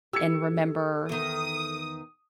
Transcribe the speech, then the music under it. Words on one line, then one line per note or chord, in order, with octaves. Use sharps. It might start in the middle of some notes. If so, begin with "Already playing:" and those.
and remember,
G4 A4 E6 G#6 C#7
E2 D#3 D#6